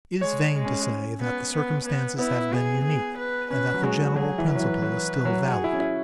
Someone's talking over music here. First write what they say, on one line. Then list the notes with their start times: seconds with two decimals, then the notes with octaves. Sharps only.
It is vain to say that the circumstances have been unique and that the general principle is still valid.
0.21 G#3 C#5
0.55 G#3
0.65 C#4
1.20 B3
1.54 B3
1.86 B3
2.18 B3 E4
2.52 G#4
2.85 G#4
3.18 B4
3.50 C#4 B4
3.74 F#3
3.83 G#3 F#4
4.16 F#3 G#4
4.38 E3
4.50 B4
4.55 F#3
4.59 E3
4.82 F#3
5.25 F#3
5.47 F#4 G#4
5.64 E4
5.73 C#4
5.80 E4